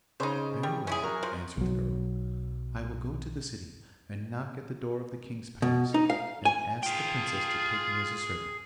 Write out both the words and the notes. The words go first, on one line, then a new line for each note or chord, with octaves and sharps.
'Very well,' answered the girl, 'I will go to the city, and knock at the door of the king's palace, and ask the princess to take me as a servant.'
C#3 D#4 C5
G3
C#4 E4 G#4
F#3 A#4
F3
B1 F#3
B2
D#4
F5
G#5
F4 G#4 G5